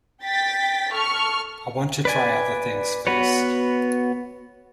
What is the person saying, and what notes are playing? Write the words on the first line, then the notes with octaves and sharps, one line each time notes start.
I want to try other things first.
G5 A6 B6
A4 C#6 F6
B4 D5 G#5
B3 F#4 B4 C#5